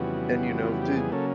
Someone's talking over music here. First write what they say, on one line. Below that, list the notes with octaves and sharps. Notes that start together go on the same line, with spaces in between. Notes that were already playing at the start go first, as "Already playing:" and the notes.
and, you know, the eh,
Already playing: F2 C#3 E3 G3 B3 F#4
F4
F#4
G4
G#4
C#3 F#3 A#3 C#4 A4